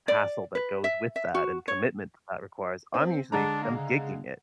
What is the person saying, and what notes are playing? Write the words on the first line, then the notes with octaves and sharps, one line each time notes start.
hassle that goes with that and commitment that that requires, I'm usually I'm gigging it.
D5
B4
E5
E5
F#4
C#5
C4
D3 G#3 D4 A#5
A#3
C#3